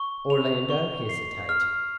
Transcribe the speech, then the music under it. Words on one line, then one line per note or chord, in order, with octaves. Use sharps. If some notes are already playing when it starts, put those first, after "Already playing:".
Orlando hesitated.
Already playing: C#6
F7
C#6
C7
F6